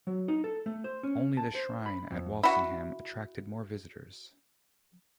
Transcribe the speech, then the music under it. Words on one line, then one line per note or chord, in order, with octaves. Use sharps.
Only the shrine at Walsingham attracted more visitors.
F#3
D#4
A4
A3
C5
C#4
A5
C5
B5
F2
E4 F#4